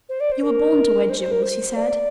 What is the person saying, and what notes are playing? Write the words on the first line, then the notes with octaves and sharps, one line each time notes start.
"You were born to wear jewels," he said.
C5
D5
C5
A#4
C5
C5
A#4
C5
D5